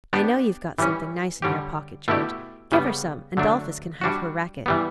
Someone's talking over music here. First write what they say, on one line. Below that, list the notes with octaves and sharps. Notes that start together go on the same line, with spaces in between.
I know you've got something nice in your pocket, George; give her some, and 'Dolphus can have her racket.
B3 D4 G4
E3 G3 C#4
D3 G3 C#4 G4
B2 A3 E4 G4
C#3 G3 B3
D3 F#3 A3 D4
G3 D4 F#4
E3 G3 B3